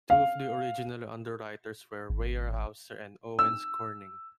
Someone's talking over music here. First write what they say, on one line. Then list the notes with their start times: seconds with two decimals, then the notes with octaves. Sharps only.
Two of the original underwriters were Weyerhauser and Owens-Corning.
0.10 F5
2.10 G#1
3.39 E6